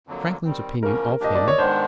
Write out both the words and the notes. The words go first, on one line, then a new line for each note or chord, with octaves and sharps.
Franklin's Opinion of him.
F2 D3 F#3 A#3
D#3 G3 C4
E2 C#3 F3 A#3 C#4 A#4
F3 A#3 D4 G4 D#5
D5
C#5
G#2 D#3 G#3 B3 D4 C5